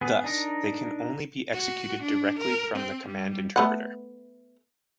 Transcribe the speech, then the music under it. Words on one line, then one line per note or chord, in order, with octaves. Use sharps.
Thus, they can only be executed directly from the command interpreter.
B3 G#4
D4 D#4 A#4
F#4
D4
A#4
C4
G3
A3 B3 F#5